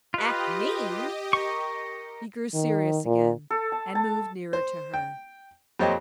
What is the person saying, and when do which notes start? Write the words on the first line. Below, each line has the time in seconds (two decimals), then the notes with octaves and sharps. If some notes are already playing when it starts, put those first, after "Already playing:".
"Act mean?" He grew serious again and moved nearer to her.
0.14 F4 G4 B4 D#5
1.33 A#4 C#6
2.54 D#3
3.05 A#2
3.50 A4
3.72 A5
3.95 A5
4.53 C5
4.94 G5
5.79 F2 A#2 G4 C5 C#5 D#5